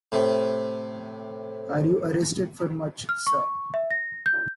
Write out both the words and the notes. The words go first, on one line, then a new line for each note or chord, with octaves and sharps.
Are you arrested for much, sir?
A2 C3
F6
C#6
E5
A#6
G6